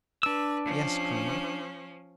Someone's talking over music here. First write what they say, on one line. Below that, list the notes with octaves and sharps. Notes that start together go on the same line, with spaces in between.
"Yes, colonel."
D4 B4 E6
F3 C#4